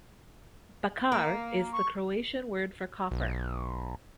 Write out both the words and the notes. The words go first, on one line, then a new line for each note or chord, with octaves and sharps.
"Bakar" is the Croatian word for copper.
A#3
C#6
B1